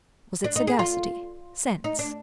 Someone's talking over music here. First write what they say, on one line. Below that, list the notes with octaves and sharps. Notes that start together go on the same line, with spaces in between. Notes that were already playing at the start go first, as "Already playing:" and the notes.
Was it sagacity?--sense?
D4
D#4
G#4
F4
D#4
D4